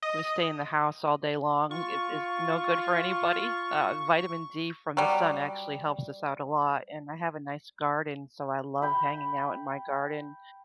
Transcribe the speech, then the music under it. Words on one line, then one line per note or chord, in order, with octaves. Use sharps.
we stay in the house all day long. It is no good for anybody. Uh, vitamin D from the sun actually helps us out a lot, and I have a nice garden, so I love hanging out in my garden.
D#5
F4 C#6
F#3 G3
G5 B5